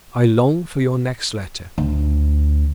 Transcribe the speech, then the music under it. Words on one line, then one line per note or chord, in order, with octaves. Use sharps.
I long for your next letter.
D2